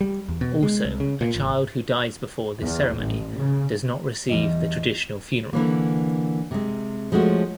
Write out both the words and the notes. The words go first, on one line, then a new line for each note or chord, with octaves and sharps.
Also, a child who dies before this ceremony does not receive the traditional funeral.
G3
E2
B2
G#3
C2
C#3
A#2
G#1
E2
A1
C#3
E2 G3 D#5
D3 E3 A#3
C3 G#3
F3 G#3 A3 C#4 F#4